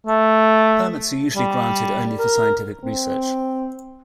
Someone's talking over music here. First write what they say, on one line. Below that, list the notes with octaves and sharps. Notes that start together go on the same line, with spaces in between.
Permits are usually granted only for scientific research.
A3
G3
A#4
C4